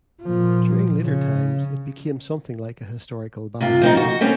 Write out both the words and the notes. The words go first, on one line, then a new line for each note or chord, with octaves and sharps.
During later times, it became something like a historical ballad.
A#2 F3
C#3
C3 F4
F3 C4 D#4
F#4
G3 C4 C#4